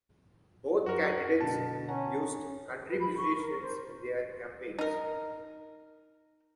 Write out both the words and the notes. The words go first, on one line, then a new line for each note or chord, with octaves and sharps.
Both candidates used country musicians in their campaigns.
F#2 F#4 A#4
B2 D3 A5
C#4 F#5 A#5
B4
B5
C#6
A#4
C5
D#4 A#4